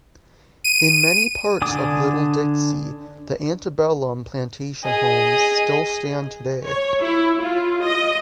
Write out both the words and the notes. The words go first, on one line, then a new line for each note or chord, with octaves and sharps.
In many parts of Little Dixie, the antebellum plantation homes still stand today.
D#7
D3 D4 G#5 D6 D#6
G#4 D#5
C#5
E4
F4
D#5